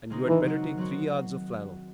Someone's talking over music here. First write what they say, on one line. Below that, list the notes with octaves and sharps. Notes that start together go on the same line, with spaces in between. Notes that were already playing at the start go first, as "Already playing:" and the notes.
And you had better take three yards of flannel.
C#3 G#3 C4 D#4
D#3 E3
F#3 C4 F#4 C5
D#3
F#3 C4 F#4 C5